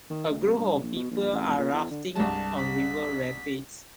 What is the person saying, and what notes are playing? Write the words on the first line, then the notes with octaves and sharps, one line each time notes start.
A group of people are rafting on river rapids.
D#3
D2
C3
G2
A#1
B2
A#1
A1
F1
A#2
E2
D3
C2 G2 G#3 A5
B6